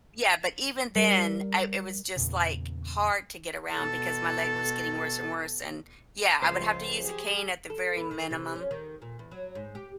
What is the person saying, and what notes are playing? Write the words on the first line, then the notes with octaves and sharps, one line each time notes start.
Yeah, but even then, I it was just, like, hard to get around because my leg was getting worse and worse, and, yeah, I would have to use a cane at the very minimum,
G3 A#4
E2 A#2 C#3
B2 A4
C#2 F3 F4 C5
G4 G#4
A4
B3
D#3
C3
C#4
D#3
A#2
E2
F#3
G#2
G4